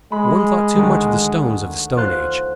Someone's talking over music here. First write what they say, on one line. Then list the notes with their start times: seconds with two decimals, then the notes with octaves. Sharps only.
One thought too much of the stones of the Stone Age.
0.12 G#3 B5
0.75 D2 D#3
1.97 F4 C5 F#6